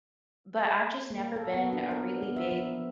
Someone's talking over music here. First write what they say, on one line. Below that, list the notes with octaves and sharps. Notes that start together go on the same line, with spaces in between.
But I've just never been a really big
A#3
A4
B3
D4
A#4
B3
E5
F3